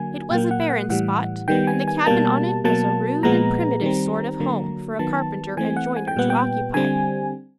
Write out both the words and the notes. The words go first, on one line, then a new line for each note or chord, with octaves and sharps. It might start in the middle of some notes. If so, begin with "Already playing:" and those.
It was a barren spot and the cabin on it was a rude and primitive sort of home for a carpenter and joiner to occupy.
Already playing: D3 F#3 A#3 G#5
A#2 F#3 A#3 G5
F#5
F#5
A2 E3 G3 F#5
D#3 G3 B3 G5
G#5
G#5
B2 G3 A#3 A5
B2 F#3 A#3 A5
A#2 F3 G#3 B3 A#5
D#3 G3 C4
D3 F#3 A#3
D#3 F#3 B3 A5
E3 A3 C4 G#5
F#5
G#5
G5
A#2 G3 B3 F#5
G5
D3 G3 C4 G#5